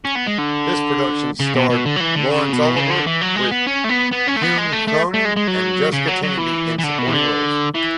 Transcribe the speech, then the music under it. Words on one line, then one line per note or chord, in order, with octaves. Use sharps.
This production starred Laurence Olivier, with Hume Cronyn and Jessica Tandy in supporting roles.
C#4
B3
G#3
D3
C#3
B2
B2
D3
F#3
E3
D3
C#3
B2
C#3
D3
E3
F#3
G#3
B3
C#4
A3
B3
B3
C#4
A3
B3
G#3
A3
A3
A3
G#3
G#3
F#3
C#3
F#3
F#3
E3
E3
D3
B2
E3
D3
E3